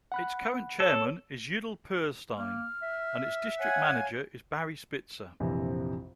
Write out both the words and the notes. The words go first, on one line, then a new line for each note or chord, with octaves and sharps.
Its current chairman is Yidel Perlstein, and its district manager is Barry Spitzer.
F#5 B5 F#6
A4 C#5
A#3 F6
E5
C#5 F5 F#5 G#5
A#1 F2 C3 E3